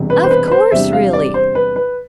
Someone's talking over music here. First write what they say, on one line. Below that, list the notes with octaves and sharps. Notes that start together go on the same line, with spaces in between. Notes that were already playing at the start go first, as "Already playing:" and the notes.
"Of course, really!"
Already playing: E1 E2 C3 G3
B4
C5
B4
B4
C5
E2 C3 G3 D4 E5
F5
D5
C5
B4
B4